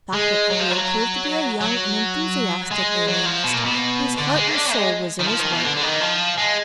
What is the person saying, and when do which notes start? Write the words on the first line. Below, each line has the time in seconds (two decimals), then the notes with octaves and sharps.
Dr. Carew proved to be a young and enthusiastic alienist whose heart and soul was in his work.
0.13 G#3
0.50 F#3
0.60 F3
0.70 F#3
1.61 F#3
2.71 G#3
3.07 F#3
3.25 F3
3.44 B2
3.54 A#2
3.64 B2
4.17 D3
4.36 G#3
4.54 D4
4.72 G#3
5.20 D#3
5.28 F3
5.40 D#3
5.52 B2
5.64 D3
5.77 D3
5.83 D#3
6.00 F3
6.38 G#3